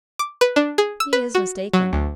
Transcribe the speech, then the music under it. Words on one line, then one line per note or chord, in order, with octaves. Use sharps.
He is mistaken.
D6
B4
D4
G#4
E6
B4
F#4
F#3
D2